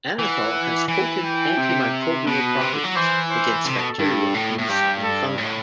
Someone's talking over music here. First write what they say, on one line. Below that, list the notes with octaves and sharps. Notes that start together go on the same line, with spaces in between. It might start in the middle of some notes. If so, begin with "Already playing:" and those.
Anethole has potent antimicrobial properties, against bacteria, yeast, and fungi.
E3 F#5
E3
G5
C3
B2 B4
C3
D3
F#3
E3 C5
C5
C3 A4
B2
G2
A2
A2
G2 G4
A4
A2